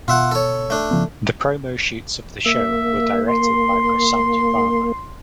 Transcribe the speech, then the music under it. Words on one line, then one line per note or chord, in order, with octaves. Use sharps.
The promo shoots of the show were directed by Prasanth Varma.
B2 F4 E5 F#5
A4 C#5
A3 D4
C#3 F3 B3
A#3 E5
C6